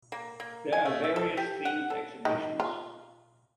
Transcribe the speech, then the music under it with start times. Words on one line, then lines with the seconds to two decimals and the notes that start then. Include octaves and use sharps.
There are various themed exhibitions.
0.12 A#3
0.40 A#3
0.73 G#5
0.85 A3
1.04 E5
1.16 A4
1.37 G4
1.65 F#5
1.90 A4
2.25 D#3
2.60 F4